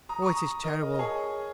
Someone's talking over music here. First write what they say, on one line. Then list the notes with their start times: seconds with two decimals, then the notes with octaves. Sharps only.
Oh, it is terrible!
0.09 A#5 D#6
0.22 C#6
0.27 A#5 D#6
0.64 A#4 D#5
0.94 D#5
0.99 G#4 C#5